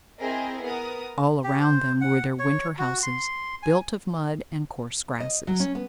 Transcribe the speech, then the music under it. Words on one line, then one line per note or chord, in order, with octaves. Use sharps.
All around them were their winter houses, built of mud and coarse grasses.
C4 E4 G#4 A#4 D#5
B3 A#4 D#6
G4
C5
F#5
C#5
F#4
C6
G#5
D#5
F#3
C#4
B3